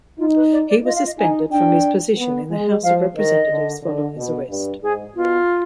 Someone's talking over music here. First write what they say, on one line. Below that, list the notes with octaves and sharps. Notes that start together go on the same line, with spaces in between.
He was suspended from his position in the House of Representatives following his arrest.
D#4 F4
B4
D5
D5
F4 D#5
F5
D#5
D#4 G#5
D4 G5
B3
G#3
F3 F5
D#3 D#5
D3
D3
B2
G2
G#2 G#4
B2 F4